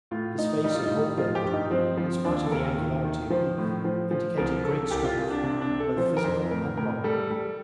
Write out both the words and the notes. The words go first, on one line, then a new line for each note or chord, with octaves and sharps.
His face and whole build, in spite of the angularity of youth, indicated great strength, both physical and moral.
A2 F4
A2 D#4
G3 D#4
F4
D#4
A2
F3 F4
G4
G2
D#4
F3 C4
F3
D#2 D4
A4
D#2 A#4
D#3
D#3
F3 C5
A2
F3
F3
C2 A#4
C2 A4
C2 G4
F4
C2
D4
C3 D4
D4
C3
A4
F3 C5
A#4
F2 C5
A2 A#4
A2 A#4
G3 A4
G3